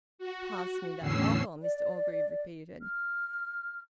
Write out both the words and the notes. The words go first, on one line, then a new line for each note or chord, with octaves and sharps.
"Pass me that bottle," Mr Orgreave repeated.
F#4
E2 A2 D3 C#4 E6 C7
D5
F6